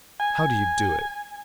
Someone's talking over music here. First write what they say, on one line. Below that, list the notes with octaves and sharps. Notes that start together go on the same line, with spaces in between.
How do you do it?
G#5